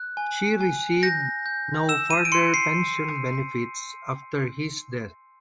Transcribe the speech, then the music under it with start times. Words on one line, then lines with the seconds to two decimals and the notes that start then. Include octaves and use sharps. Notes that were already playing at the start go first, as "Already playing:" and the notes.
She received no further pension benefits after his death.
Already playing: F#6
0.17 G#5
0.61 G#5
1.03 G6 A#6
1.46 G6
1.89 E6 E7
2.10 D#7
2.25 D7
2.32 C6 C#7
2.54 C7